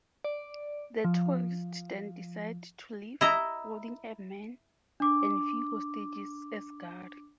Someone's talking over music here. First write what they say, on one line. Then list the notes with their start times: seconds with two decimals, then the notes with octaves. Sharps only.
The terrorists then decide to leave, holding a man and few hostages as guard.
0.24 D5
1.04 F3
3.21 E4 D#5 A#5
5.00 D4 D6